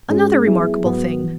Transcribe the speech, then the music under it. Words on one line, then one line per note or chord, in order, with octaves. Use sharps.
Another remarkable thing.
G#2 G#3 C#4 G#4
F#3 B3 E4 G#4
G#2 F#3 B3 F#4
E3